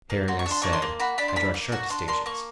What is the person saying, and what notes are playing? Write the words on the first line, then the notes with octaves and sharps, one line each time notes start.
Herein, as said, I draw sharp distinctions.
A#3
F#4 C6
C#6
D4
C6
A#3 C#6
C6
A#3
F#4 B5
D4 B5
C6
A#3 B5
A#3
F#4 C#6
D4 C6
A#3 C6
A#3 C#6